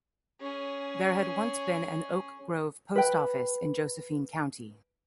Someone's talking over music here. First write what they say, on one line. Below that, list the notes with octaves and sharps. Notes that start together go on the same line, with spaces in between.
There had once been an Oak Grove post office in Josephine County.
C#4 G#4
B4 G5